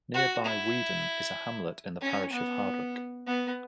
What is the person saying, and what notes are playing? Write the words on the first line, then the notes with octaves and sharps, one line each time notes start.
Nearby Weedon is a hamlet in the parish of Hardwick.
F#4
E4
C#4
B3
B3